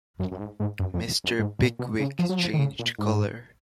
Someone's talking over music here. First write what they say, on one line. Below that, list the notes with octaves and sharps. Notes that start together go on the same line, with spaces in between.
Mr. Pickwick changed colour.
F#2
F#2
G#2
G#2
F#2
F2
F#2
G#2
A#2
B2
C#3
F3
F#3
F3
D#3
C#3
A#2
G#2